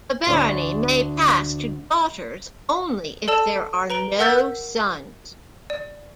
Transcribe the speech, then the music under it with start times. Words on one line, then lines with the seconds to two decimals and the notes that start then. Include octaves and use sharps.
The barony may pass to daughters only if there are no sons.
0.27 D2 D4 D5
3.28 A4 D5 A5 E6 E7
3.90 B4 A#5 D7 G7
4.19 A#4 F#5 E6 G6 A6 B6
5.70 D5